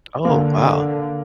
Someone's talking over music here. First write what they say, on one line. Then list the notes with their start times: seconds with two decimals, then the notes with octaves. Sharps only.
Oh, wow.
0.25 D3 A#3